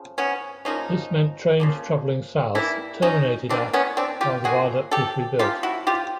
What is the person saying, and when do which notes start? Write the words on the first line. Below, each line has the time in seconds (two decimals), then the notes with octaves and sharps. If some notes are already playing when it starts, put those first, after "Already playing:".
This meant trains travelling south terminated at while the viaduct was rebuilt.
Already playing: C#3 F3
0.18 B3 C#4
0.65 C#3 F3 A#3 C#4 D#4
1.60 C#3 F3 A#3
2.55 E3 G3 A#3 D4 E4
3.02 C#4 D#4
3.49 E3 G3 A#3 C4 D4
3.73 B3 C#4
3.97 C4 D4
4.21 F4 G4
4.44 C#3 F3 A#3 F#4 G#4
4.91 G4 A4
5.39 C#3 F3 A#3 F4 G4
5.63 E4 F#4
5.87 F4 G4